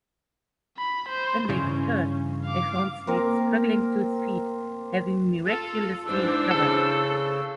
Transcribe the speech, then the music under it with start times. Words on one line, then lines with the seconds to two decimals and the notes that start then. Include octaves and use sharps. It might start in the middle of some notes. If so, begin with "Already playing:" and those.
When they returned, they found Slade struggling to his feet, having miraculously recovered.
0.77 B5
1.08 C5
1.49 G2 C#3 E3 C#4
2.45 F5 D6
3.07 A#3 C4 A#4
5.45 F4 A4
6.06 G#2 E3 D4 C5 E6
6.51 C#3 A4